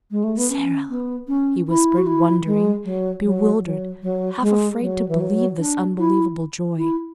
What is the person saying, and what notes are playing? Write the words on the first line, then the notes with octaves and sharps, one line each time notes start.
"Sara," he whispered, wondering, bewildered, half-afraid to believe this unbelievable joy.
G#3
A3
B3
C#4
B3
C#4
E4
F#4
E4
G#3
F#3
F#3
F#3
F#3
G#3
F#3
E3
F#3
D4
E4
E4